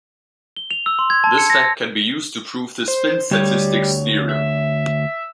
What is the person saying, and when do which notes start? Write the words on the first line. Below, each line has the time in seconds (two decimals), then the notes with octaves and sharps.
This fact can be used to prove the spin-statistics theorem.
0.57 G7
0.71 F7
0.86 E6
0.99 C6
1.10 G#6
1.24 A5
1.38 C#7
1.50 A#6
2.88 C5
3.31 D2 G3 C#5
4.29 E5